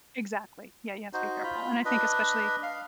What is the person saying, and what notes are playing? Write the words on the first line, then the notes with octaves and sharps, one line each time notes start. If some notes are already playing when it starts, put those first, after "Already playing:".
exactly, yeah, you have to be careful, and I think especially
D#4 F#4 C5
F4 B5
D4 B4 D#5
F5